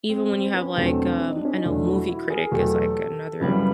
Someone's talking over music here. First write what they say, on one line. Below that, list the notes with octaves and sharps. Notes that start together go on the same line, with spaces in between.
even when you have, like, um I know Movie Critic is, like, another
C4
C4
C4
B3 C#4
E2 B2 F#3 A3 C4 D4
E4
D#4
D4
C#4 D#4
D#4
E2 B2 F#3 A3 D4 E4
E4 F#4
E4 F#4
G#4 A#4
E2 B2 F#3 A3 G4 A4
F#2 C#3 E3 G3 B3